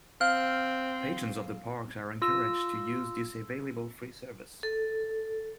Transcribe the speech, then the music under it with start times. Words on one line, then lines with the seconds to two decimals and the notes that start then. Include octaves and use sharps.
Patrons of the parks are encouraged to use this available, free service.
0.21 C4 F5 F6
2.22 F4 E6
4.63 A4